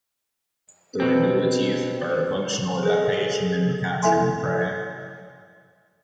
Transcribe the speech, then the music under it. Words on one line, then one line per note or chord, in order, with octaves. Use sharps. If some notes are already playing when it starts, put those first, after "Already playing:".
The radula teeth are a functional adaption in the capturing of prey.
B2 C4
G#4 A4 D#5
E4 A4 E5 G#5 C6